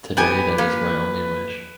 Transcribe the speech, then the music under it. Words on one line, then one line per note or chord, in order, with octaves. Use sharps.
Today that is my only wish.
B3 G4 B4 G#5
A#3